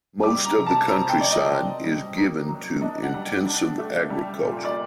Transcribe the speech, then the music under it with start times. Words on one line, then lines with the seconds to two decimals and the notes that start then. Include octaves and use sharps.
Most of the countryside is given to intensive agriculture.
0.23 G3 D6
0.45 A#5
0.56 C3
0.66 A5
0.88 C4 A#5
1.09 G5
1.20 F#3 D5
1.31 D#5
1.52 C4
1.84 G3
2.17 A#3
2.48 F#3
2.81 D4 D#5
3.03 F#5
3.14 G3
3.46 D4
3.79 A3
4.10 G3
4.42 A#2
4.65 D5